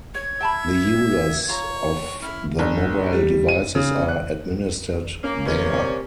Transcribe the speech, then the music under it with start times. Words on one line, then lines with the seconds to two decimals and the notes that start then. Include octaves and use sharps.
The users of the mobile devices are administered there.
0.14 C#5 G#6
0.41 E5 G5 A5 B5
1.49 F4 C#5 A#5
2.22 C#4 E4 F6
2.59 G1
3.13 G3
3.49 D#7
3.75 C#3
4.08 F#6
5.24 A#3 C#4
5.46 C3 A#3 C#4 B4 D#5
5.75 C4 G4 D5